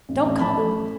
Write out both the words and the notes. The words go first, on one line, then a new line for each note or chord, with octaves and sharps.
Don't call him.
A1
A1
A1 A5 B5
A3